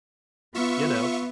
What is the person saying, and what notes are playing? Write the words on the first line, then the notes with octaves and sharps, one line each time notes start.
You know?
B3 F4 E5 C#6